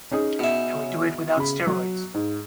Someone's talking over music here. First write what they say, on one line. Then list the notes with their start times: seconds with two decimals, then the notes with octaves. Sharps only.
And we do it without steroids!
0.11 C#4 D#4 G#4
0.39 B2 E5
1.37 C#3 B5
1.67 F#3
2.14 G#2